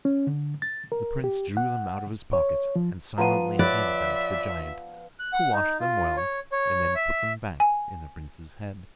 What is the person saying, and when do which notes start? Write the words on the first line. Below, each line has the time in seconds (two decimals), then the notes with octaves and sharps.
The prince drew them out of his pocket, and silently handed them to the giant, who washed them well, and then put them back in the prince's head.
0.05 C#4
0.27 D3
0.62 A6
0.92 A#4
1.24 G4
1.57 F#5
2.33 C#5
2.76 F3
3.18 F3 B3 A#5 C6 D#7
3.59 C#5 D5 E5 B5 F#6
5.20 F#6
5.33 F#5
5.53 D#4
5.80 F4
6.17 C#5
6.52 C#5
6.95 E5
7.60 G#5